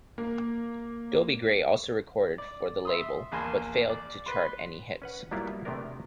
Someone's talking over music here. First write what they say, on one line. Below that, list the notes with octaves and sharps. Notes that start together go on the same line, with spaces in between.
Dobie Gray also recorded for the label but failed to chart any hits.
A#3
D5
E5 C6 D#6
A#1 E2 A#3 G#5 A5 C6
D5
B4 C6
C#4 B4 F#5
F#3 G3 A#3 B3 E4 F4
C3 A3 B3 D4 A#4